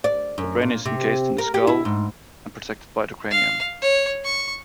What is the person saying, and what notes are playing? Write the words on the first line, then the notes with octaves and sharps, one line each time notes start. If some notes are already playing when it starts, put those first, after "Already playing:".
The brain is encased in the skull, and protected by the cranium.
D5
F#2
A#2
C3
A#4
G4
E4
G#2
F5
C#5
C#6